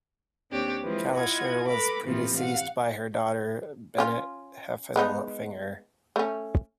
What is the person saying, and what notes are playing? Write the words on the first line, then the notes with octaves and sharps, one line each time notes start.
Calisher was predeceased by her daughter, Bennet Heffelfinger.
D#2 C4 D4 G4 C#5
E3 F3 G#3 C4 E4
E4 F4 D#5 F#5 G#6
A4 B4 A#5 B5 D6
A2 C3 E3 F3 A#3 B3
F5 F#5
C#4 F4
G#3 B3 D#4
A3 C#4